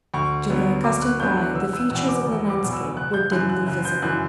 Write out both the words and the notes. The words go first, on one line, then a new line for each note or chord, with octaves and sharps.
To her accustomed eye, the features of the landscape were dimly visible.
D2 C#6
D3 F#3 B3
D2 D6
F#6
D3 F#3 B3 G6
F#6
E1 E6
E6
E2 B2 E6
D6
E1
D6
E2 B2
E6
F#1 F#6
G6
F#2 E3 F#6
F#6
F#1 F#6
G6
F#2 E3 F#6